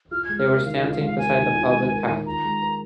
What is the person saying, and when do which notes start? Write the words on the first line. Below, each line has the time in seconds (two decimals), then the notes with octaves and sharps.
They were standing beside the public path.
0.11 F4 F6
0.25 G#3 G#6
0.38 F6
0.47 A#4
0.65 D#3 F5
0.78 D#5
0.83 F4
0.92 F5
1.01 G#3
1.06 F5
1.18 A#4 G#5
1.37 D#3
1.55 F4
1.72 G#3
1.90 A#4
2.08 D#3
2.26 F4 A#5
2.44 G#3
2.62 A#4